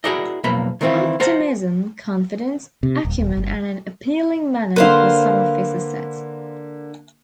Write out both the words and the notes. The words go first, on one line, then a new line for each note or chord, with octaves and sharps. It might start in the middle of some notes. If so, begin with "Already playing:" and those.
Optimism, confidence, acumen and an appealing manner were some of his assets.
E4 F#4 G#4 A#4 D5 D#5
B1 F2 A#3 B5
D#3 E3 C4 E4 F4
F4 C5 F#5 A#5
C3
D#1
D#1
G1
D3 A#3 B4 C5 F5